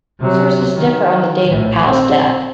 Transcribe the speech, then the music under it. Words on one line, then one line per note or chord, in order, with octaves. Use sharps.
Sources differ on the date of Powell's death.
C3 F#3
D#3
A#1 A2
C4